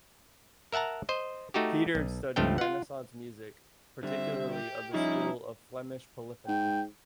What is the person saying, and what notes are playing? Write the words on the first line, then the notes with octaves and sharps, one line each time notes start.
Peeters studied Renaissance music, particularly of the school of Flemish polyphony.
A#4 E5 F#5 A5 A#5
C5 D#5
A3 D#4 F#4 G4
B1
C#2 G2 F3 A3 F5 G5
F4 F#5
D3 G3 C4 E5
G4
F3 G3 C#4 D#4 E4
G#2 G5